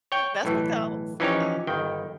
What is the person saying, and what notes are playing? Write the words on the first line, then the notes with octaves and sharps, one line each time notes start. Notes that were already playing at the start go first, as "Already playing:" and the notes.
that's McDonald's, uh-huh.
C#5 G5
B1 A2 E3
E3 F3 C#4 D#4 G4 C#5
G1 D#3 G5